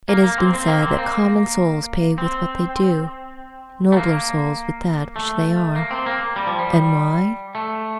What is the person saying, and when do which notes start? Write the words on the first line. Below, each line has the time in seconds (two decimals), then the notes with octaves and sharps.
It has been said that "common souls pay with what they do, nobler souls with that which they are." And why?
0.09 A#3
0.24 A#3
0.38 C4
0.53 C4
0.68 A#3
0.82 C4
0.98 A#3
2.18 C4
3.92 A3
3.97 A#3
5.16 A3
5.76 A#3
5.91 C4
6.06 A#3
6.36 G3
6.47 F3
6.59 G3
7.55 A3